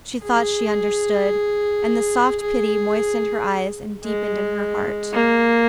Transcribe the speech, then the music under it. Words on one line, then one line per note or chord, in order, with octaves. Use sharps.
She thought she understood, and the soft pity moistened her eyes and deepened in her heart.
G#4
G#4
G#3
A#3